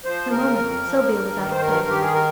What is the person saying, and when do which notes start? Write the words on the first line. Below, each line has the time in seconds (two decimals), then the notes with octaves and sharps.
In a moment Sylvia was out of bed.
0.05 F3 C5
0.31 C#3 A#4
0.57 F2
0.83 F3
1.09 G2
1.35 D#3
1.51 C5
1.62 G2 A#4
1.88 D#3 G4
2.01 G#4
2.13 A#4